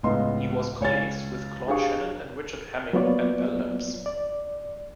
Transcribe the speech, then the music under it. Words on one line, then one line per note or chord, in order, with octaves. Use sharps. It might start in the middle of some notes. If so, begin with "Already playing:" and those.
He was colleagues with Claude Shannon and Richard Hamming at Bell Labs.
C#2 A2 B3 D#5 C6
C#2 C#5 G#5 A6
D4 G4 G#4 F5 C#6
F#3 A#3 B3 F4 C#5 D5
D5